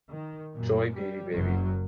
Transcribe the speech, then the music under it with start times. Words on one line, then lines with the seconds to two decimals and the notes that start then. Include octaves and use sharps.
Joy, beauty baby.
0.11 D#3
0.53 F#2 A#2
0.95 G3
1.35 F#1 F#2 F#3